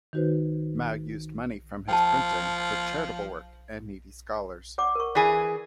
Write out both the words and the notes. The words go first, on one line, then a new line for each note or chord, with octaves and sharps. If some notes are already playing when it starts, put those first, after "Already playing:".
Mao used money from his printing for charitable work and needy scholars.
D#3 D#4 F#4 B4 C5
F3 G5 A5
D5 F#5 D6
A#4 C#6
E3 G#4 D5